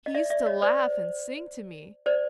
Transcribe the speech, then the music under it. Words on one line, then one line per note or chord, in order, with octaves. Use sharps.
He used to laugh and sing to me....
D#5
D5 E5
D5 E5
C#5 D#5
C5 D5
C5 D5